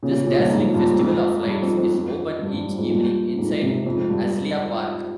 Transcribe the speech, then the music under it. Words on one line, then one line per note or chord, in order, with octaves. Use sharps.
This dazzling festival of lights is open each evening inside Azalea Park.
A#2 C#3
A#2 C#3
A#2 C#3
G2 A#2
F2 G#2
G2 A#2
F2 G#2
G2
F2
F2
F2
G2
G2
F2 G#2
G2 A#2
F2 G#2
G#2 C3
F2 G#2
G2